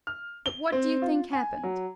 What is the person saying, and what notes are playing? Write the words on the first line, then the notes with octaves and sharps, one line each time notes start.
But what do you think happened?
F6
G7
C4
F4
G#5
F#3